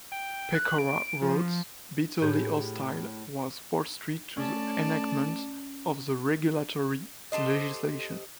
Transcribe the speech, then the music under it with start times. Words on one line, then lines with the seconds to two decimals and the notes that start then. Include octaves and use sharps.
Pecora wrote: Bitterly hostile was Wall Street to the enactment of the regulatory legislation.
0.12 G5
0.39 G5
0.55 F#6
0.78 D7
1.22 F3
2.22 A2 G4 G#4
4.37 A3 C#4 D5 A5
7.32 G4 A4 C5 D#5